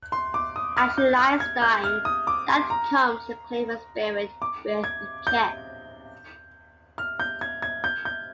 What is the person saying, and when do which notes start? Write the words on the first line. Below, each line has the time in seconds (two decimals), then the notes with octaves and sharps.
As she lies dying, Death comes to claim her spirit with a kiss.
0.12 C6
0.34 D6
0.56 D#6
0.77 F6
0.98 G6
1.19 F6
1.40 G#6
1.62 G6
1.84 F6
2.05 D#6
2.27 D6
2.49 C6
2.70 A#5
4.42 D6
4.84 G#6
5.27 G6
6.98 F6
7.20 G6
7.41 G#6
7.62 G#6
7.84 G6
8.05 G6